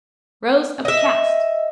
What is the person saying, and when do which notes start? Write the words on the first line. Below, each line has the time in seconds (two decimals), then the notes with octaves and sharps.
Rows of cast.
0.85 D#5 E5